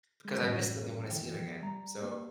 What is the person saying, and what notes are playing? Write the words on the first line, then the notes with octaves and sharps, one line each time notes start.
because I miss them; I wanna see 'em again. So,
G#3
F#2 A2 E3 G3 C#4
F#2 E3 G5
F3 B3
G3 A#5
A#3 G4